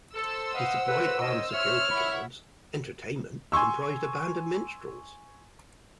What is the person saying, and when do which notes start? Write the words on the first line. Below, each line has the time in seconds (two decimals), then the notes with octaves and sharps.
He supplied armed security guards, entertainment, comprising a band of minstrels.
0.14 A4 C5 E6
0.54 B4 D#5 F5 F#5
0.87 A2 F#4 B4
1.21 D#3 C#4 D#5
1.53 C#5 E5 F6
1.90 E4 E5 F#5 B5
3.52 G#5 C6 C#6 E6